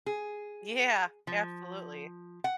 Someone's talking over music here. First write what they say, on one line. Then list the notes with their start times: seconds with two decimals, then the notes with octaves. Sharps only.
Yeah, absolutely.
0.06 G#4
1.27 F3
2.44 F#5